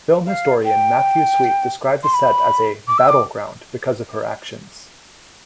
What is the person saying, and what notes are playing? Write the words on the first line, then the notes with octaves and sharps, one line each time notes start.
Film historian Matthew Sweet described the set as a "battleground" because of her actions.
F5
G5
C6
B5
D6
E6
D6